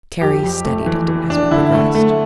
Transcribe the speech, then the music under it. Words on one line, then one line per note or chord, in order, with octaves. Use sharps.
Terry studied it as we progressed.
F2 G4
F2
A3
E3
E3
D4
D3 E4
A3
A3